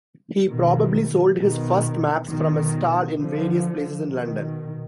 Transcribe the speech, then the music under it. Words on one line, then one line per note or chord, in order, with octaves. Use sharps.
He probably sold his first maps from a stall in various places in London.
B2 D#3
B2 D#3
B2 D#3
D3 F3
B2 D#3